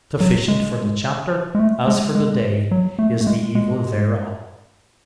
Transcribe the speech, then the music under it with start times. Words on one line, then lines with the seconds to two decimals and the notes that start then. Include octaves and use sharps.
Sufficient for the chapter, as for the day, is the evil thereof.
0.20 F#3
0.48 G#3
1.55 G#3
1.59 A3
1.88 G#3
2.15 G#3
2.71 F#3
2.99 A3
3.21 A3
3.27 G#3
3.55 G#3